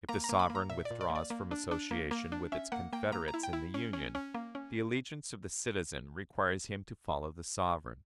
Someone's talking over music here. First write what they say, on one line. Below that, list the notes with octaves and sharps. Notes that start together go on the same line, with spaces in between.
If the sovereign withdraws from association with its confederates in the Union, the allegiance of the citizen requires him to follow the sovereign.
A#3 A#5
A#5
A#3
B5
A#3
A#5
A#2 E5
D5
A#2
D5
A#3
D5
A#3
D4
D4
A#3
A#3
D4
C#4 E5
A#3 F#5
A#3 G5
A#3 A#5
A#5
E4
G5
E4
C#4
C#4
C#4
A#3
C#4